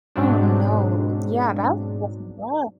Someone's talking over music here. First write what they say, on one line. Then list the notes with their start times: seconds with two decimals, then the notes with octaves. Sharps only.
Oh, no, yeah, that must be rough.
0.16 G#2 B2 F#3 C4 D4